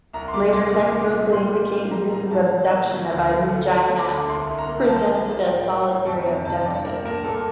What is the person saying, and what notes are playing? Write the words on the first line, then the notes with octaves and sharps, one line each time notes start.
Later texts mostly indicate Zeus' abduction of Aegina, presented as a solitary abduction.
C2 A#5
C6
G3 D6
C2 C6
A#2 D6
A#2
G3
A#2 C6
G3
G3
G3 A#5
A2 A#5
A2 A5
F3
A#3
F3
D2
A3
A3
A3 A#5
A3
D6
D3
C2 C6
C2
A#5
A#3
F3 A5
A#3
A#3
A2 G5
A2
A2
F2 A5
C3 A#5
F2 A5
G2 D5
G2 A#4
G2 A#4
A#2 A4